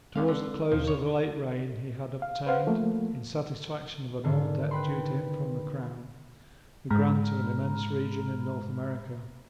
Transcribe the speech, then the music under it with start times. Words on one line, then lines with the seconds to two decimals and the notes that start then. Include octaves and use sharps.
Towards the close of the late reign he had obtained, in satisfaction of an old debt due to him from the crown, the grant of an immense region in North America.
0.16 D#2 D3 G#3 C4 F5
0.28 D3
0.72 D#2 B2 F3
0.88 C#5
2.22 F5
2.46 B4 C5 F5 F#5
2.67 F3 A3 A#3
4.24 G#2 D3 D#3
4.71 B4 G5 B5 C6
6.90 G#2 G#3 A#5 B5 F6